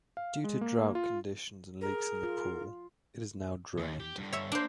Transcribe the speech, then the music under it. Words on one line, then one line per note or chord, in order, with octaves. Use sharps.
Due to drought conditions and leaks in the pool, it is now drained.
F5
G#3
A#3
F4
G#4 A#4
F4
D#2
G4
G2 D3
C#5 E5
A#3 D4 C5